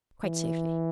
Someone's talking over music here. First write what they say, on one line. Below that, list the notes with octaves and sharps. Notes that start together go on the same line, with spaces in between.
"Quite safely."
E3